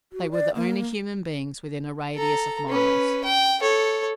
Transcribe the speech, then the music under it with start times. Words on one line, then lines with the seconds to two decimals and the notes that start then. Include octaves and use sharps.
They were the only human beings within a radius of miles.
0.13 F#4
0.32 D5
0.55 A#3
2.15 A4 A#5
2.69 C#4 B4
3.24 G5
3.60 A4 C#5